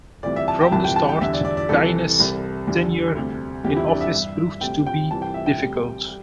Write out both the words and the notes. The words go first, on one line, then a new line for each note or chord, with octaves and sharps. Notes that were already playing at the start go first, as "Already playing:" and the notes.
From the start, Gaines's tenure in office proved to be difficult.
D2 C3 E3 G3 D5
E5
A5
G5
C2 C3 E3 G3 A5
G5
A5
G5
E2 D3 G3 E5
D5
D5
D5
C2 C3 E3 A4
C2 C3 G3
E2 D3 G3
D2 C3 G3
E2 C3 E3 G3 G4
E4
D4
E5
G2 G3
D2 C3 G3 G5
G5
C2 C3 E3 G3 A5
G5
E5
G5
D2 C3 G3
G3